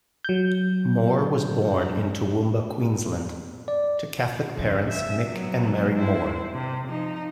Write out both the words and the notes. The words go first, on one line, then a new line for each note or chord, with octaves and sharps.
Moore was born in Toowoomba, Queensland, to Catholic parents Mick and Mary Moore.
F#3 G6
D5
F2 C#3
E5
F#3 B3
E4 C5
C3
F3 D#4